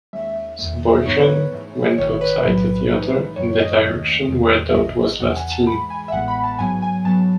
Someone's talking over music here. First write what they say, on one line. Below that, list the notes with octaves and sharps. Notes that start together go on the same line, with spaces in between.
The boyfriend went outside the theater in the direction where Dodd was last seen.
D#2 D#3 G#3 C#4 E5
E2 D#3 A3
G#2 E3 B3 D#4 C#5
B4
C#5
G#2 E3 A3
G#1 G#2 D#3 C#5
B4
B1 A2 F#3
A2 E3 A3 D#4
F#2 D#3 F#3 C#5
D#5
D#2 D#3 A3 C#4
E2 D#3 G#3
E5
A1 G#2 D#3 D#5
E2 C#3 E3 F#5
G#5
A5
G#2 E3 G#3 B5
G#5
E5
A1 A2 E3 G#3 B3 F#5
B5
A5
G#2 F#3 B3 G#5
G#5
G#2 F#3 B3 A5